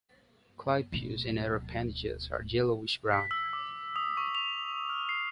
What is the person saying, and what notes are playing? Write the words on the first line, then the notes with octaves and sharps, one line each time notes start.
Clypeus and other appendages are yellowish brown.
D1 B2
B6
E6
D6
D#6
C#6
F7
F6
C7